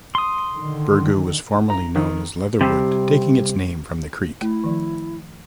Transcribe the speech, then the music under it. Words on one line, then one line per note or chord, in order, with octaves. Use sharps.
Bergoo was formerly known as Leatherwood, taking its name from the creek.
C6 D#6
D3 D#3
A#5
D#3
C3 G3 C4
A3 E4
D#3 F3